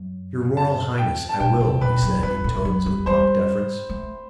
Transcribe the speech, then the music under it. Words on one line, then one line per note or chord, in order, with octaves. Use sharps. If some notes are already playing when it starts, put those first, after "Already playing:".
"Your Royal Highness, I will," he said, in tones of mock deference.
Already playing: F#2
A5
G5
A5
B2 G5
C3
B2 B4
F#2
G2 B4
A2
F#3
G3
G3 C5
A3